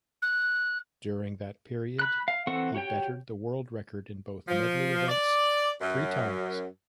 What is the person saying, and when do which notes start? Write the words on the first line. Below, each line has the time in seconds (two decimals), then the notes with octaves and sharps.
During that period, he bettered the world record in both medley events three times.
0.22 F#6
1.99 B5 F#6
2.28 F5
2.47 E3 C4 A4 F#5 C#6
2.75 F#4 G4 C#5 G5
4.48 F3
5.09 D5
5.81 F#2